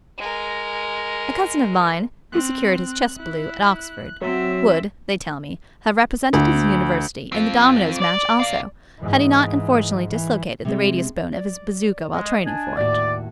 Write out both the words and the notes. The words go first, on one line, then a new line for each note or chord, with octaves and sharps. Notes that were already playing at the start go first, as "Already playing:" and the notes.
A cousin of mine, who secured his chess blue at Oxford, would, they tell me, have represented his University in the dominoes match also, had he not unfortunately dislocated the radius bone of his bazooka while training for it.
G#3 A#4
C4 F#6
E4
F#3 C4 E5
D2
C4 F4
D5 D6
C3 F5
G#2 E3
E3
C3 G#3 C4
D5
G#3 D#5
D4 G#5
D#2 A2 F#4 D5